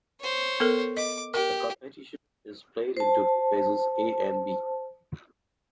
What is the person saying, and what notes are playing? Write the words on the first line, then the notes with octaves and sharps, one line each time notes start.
The competition is played into two phases A and B.
C5 C#5
B3 A4 A#4
D#5 D6
G4 A#4
C5 A5